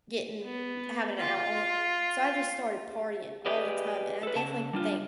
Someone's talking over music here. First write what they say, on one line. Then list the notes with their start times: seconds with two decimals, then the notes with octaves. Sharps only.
getting having an outlet." So, I just started partying all the time, and I definitely think
0.43 B3
1.17 F4
3.46 G4 G#4 B4 D5 D#5
4.23 A4 B4
4.35 C#3 A5
4.73 G3 D4 F4